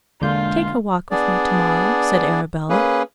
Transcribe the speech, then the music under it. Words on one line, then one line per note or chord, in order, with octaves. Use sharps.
"Take a walk with me to-morrow," said Arabella.
E1 D3 G#3 A#3 F4 G6
B3 D4 G#4 D5
A#3 C#4 G#4 B4